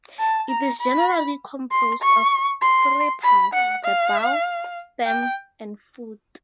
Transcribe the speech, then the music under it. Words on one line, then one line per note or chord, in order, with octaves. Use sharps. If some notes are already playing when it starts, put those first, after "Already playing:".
It is generally composed of three parts: the bowl, stem, and foot.
A5
A#5
B5
C6
C#6
C6
B5
F#5
F5
G5